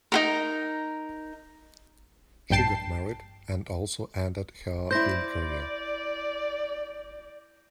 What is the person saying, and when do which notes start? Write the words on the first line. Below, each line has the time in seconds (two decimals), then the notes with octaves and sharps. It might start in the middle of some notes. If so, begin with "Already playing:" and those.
She got married and also ended her film career.
0.12 D#4 G4 A#4
2.50 A#1 G2 G5 A5 C7
4.91 E4 C5 D5 G6 A#6